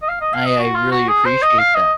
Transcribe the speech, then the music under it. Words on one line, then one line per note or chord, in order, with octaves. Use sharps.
I I really appreciate that.
D#5
F5
D#5
F5
D#5
F#4
F4
F#4
G#4
C5
D#5
F5
D#5